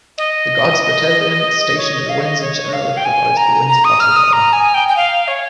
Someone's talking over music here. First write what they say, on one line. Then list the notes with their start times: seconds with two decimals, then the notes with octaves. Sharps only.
The Guards Battalion stationed at Windsor generally provides the Windsor Castle Guard.
0.18 D#5
1.77 C#5
1.93 D#5
2.09 F5
2.19 C#5
2.25 D#5
2.41 C#5
2.73 F5
2.97 G5
3.05 G#5
3.37 A#5
3.69 A#5
3.84 D#6
4.00 F6
4.16 D#6
4.33 A#5
4.53 G#5
4.74 G5
4.88 G5
4.96 F5
5.28 C#5